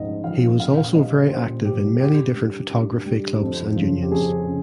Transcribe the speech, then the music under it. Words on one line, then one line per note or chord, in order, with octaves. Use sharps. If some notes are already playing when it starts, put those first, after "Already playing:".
He was also very active in many different photography clubs and unions.
Already playing: G#2 F3 D#5
F3 F5
A#2 F5
F5
G3 D#5
A#2 C5
G3 G4
G2 G4
G3
G2
G3
F2
C#3 F3
G4
F2 G#4
C#3